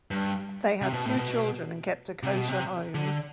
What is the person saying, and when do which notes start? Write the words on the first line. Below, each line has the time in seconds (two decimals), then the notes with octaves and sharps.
They had two children and kept a kosher home.
0.11 G2
0.82 C3
0.93 B2
1.05 A2
1.16 B2
2.23 C3
2.36 B2
2.48 C3
2.95 D3